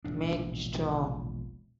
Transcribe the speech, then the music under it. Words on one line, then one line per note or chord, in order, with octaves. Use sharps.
Make - Strong.
E1 A#1 A2 D4